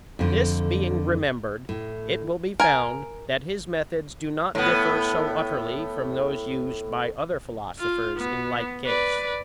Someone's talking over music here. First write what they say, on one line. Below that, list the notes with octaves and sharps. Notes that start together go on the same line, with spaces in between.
This being remembered, it will be found that his methods do not differ so utterly from those used by other philosophers in like case.
F2 D3
A2
A#4 G#5
A2 B3
F4
B3
B4 D5